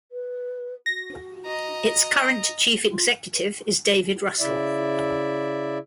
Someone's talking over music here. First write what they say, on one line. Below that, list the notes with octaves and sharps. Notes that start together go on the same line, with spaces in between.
Its current Chief Executive is David Russell.
B4
F#4 A#6
D#5 A#5
C#3 E4 D5 E5